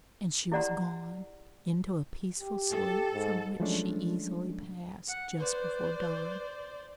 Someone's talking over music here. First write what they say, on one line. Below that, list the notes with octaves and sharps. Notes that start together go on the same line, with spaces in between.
And she was gone--into a peaceful sleep from which she easily passed just before dawn.
E4 G4 D5 F#5 A#5 C6
G4
A4
G#2
F3 F#3 G#3 A3 C#4 D4
F#5
B4 C5 D5